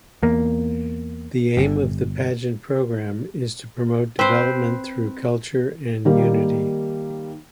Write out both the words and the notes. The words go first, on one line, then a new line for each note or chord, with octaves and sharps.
The aim of the pageant program is to promote development through culture and unity.
E2 A#3
G1
C4 B4 C5
D#3 G3 A#3